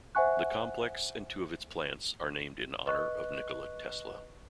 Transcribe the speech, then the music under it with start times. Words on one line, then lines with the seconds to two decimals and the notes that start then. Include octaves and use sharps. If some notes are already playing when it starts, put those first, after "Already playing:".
The complex and two of its plants are named in honor of Nikola Tesla.
0.15 C5 E5 F#5 G#5 C#6 F#6
2.87 B4 D#5 C#6 F#6